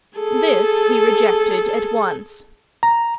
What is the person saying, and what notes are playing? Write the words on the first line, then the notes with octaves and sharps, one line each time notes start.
This he rejected at once.
G#4 A4
A#5